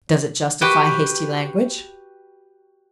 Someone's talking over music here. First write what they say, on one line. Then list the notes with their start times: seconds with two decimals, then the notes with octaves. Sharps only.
Does it justify hasty language?
0.61 F#4 G4 B4 G5